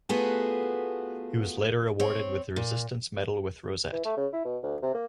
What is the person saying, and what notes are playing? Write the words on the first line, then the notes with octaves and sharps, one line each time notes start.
He was later awarded the Resistance Medal with rosette.
A3 B3 F4 F#4 G#4
C4 C#5
A#2
E3
A3
C#3
E4
B2
D2
C3
A#3